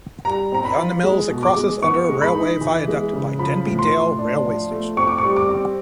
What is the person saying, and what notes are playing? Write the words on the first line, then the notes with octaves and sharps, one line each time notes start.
Beyond the mills, it crosses under a railway viaduct by Denby Dale railway station.
G3 A#5
C4 A#5
B5
F4
G#3
B2
D6
G#3
B3 C#6
G#3
B5
D#4
E3
G#3
C#3
F3 B5
A2
C6
A2
D4
F3
A3
C4 C#6
D6
G3 C#6
D6
C4